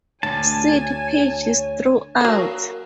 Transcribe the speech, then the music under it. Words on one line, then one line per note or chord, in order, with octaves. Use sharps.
Seat pitch is throughout.
D2 C#5 G#5 A5
F#3 A#3